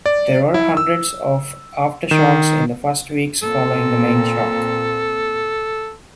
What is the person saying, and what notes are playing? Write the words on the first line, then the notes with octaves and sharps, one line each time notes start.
There were hundreds of aftershocks in the first weeks following the main shock.
D5
E4
E6
D#3
A#2 C4 A4